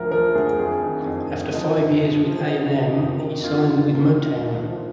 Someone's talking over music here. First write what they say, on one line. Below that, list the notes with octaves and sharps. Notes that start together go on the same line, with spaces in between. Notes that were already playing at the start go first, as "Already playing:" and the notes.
After five years with A and M, he signed with Motown.
Already playing: D2 F3 A#4
F3 A#4
D2 G#4
F2 G#4
D#3
F2
F2
F3 D#4
G2
G2
F3
D#3 D#4
D#3
F2 D#4
D#3
G2 F4
D#3
D#3
D#3
D2
F3